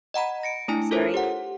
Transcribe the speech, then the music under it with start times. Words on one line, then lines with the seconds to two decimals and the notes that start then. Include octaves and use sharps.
I'm sorry,
0.14 D#5 F#5 A#5 B5
0.43 A#6 C#7 D7
0.68 A3 D4 E4 G#5
0.91 F4 A4 A#4 C5 C#5
1.14 G4 F#5